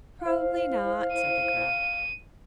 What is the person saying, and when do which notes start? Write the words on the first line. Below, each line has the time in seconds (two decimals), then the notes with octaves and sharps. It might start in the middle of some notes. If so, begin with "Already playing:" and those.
"Probably not," said the crab.
0.22 E4 C5 F5
1.13 D#7